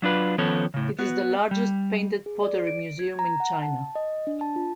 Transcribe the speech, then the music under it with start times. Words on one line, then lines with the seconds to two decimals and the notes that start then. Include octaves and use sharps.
It is the largest painted pottery museum in China.
0.02 F#3 D4 F4 B4
0.38 D#3 F3 B3 C#4 A4 C#5
0.74 A2 C#3
0.99 B3 F#4
1.51 G3
2.26 G#4
2.43 D5
2.67 D7
2.99 G#6
3.19 A#5
3.40 F#5
3.62 A5
3.95 D#5
4.27 D4
4.41 A5
4.56 F4